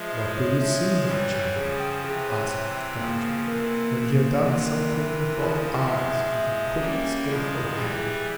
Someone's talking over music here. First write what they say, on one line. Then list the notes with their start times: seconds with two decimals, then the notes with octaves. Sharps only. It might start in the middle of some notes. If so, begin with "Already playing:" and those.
'What do you see, my child?' asked the doctor, when he had done something to both eyes with a quick, skilful hand.
Already playing: F3 G#3 E5
0.13 E4
0.37 C#5
0.61 F3 G#3 E5
0.85 C#5
1.08 E3 G3 C#5
1.33 C#5
1.56 C#3 F3 G#4
1.80 G5
2.04 C3 E3 G#4
2.28 C#5
2.51 G5
2.75 G5
2.99 C#3 F3 A#3
3.23 A#3
3.47 C3 E3 A#4
3.71 A#3
3.94 C#3 A#3
4.19 A#3
4.42 C3 E3 A#3
4.66 A#4
4.90 E4
5.14 A#4
5.38 C#3 F3 E4
5.62 E4
5.85 F3 G#3 E5
6.09 E5
6.33 E5
6.57 E5
6.81 G3 A#3 C#4
7.05 C#4
7.29 F3 G#3 E4
7.52 E4
7.76 E3 G3 G#4
8.00 G#4